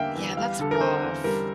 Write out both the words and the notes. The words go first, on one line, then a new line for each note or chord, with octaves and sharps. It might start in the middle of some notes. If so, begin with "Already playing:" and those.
Yeah, that's rough.
Already playing: E2 D3 G3 A#3 E5 F5 G5
E2
G3 F5
D3 A4
A#4
C4 C5
E2
G3 A#4